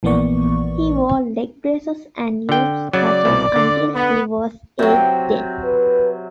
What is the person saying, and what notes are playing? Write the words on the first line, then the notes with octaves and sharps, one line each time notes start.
He wore leg braces and used crutches until he was aged ten.
A#1 E3 A#3 B3 D5 C#6
D3 G5
C#3 F#3 D5
C2 B2
D3
B3
C3 F#3
B4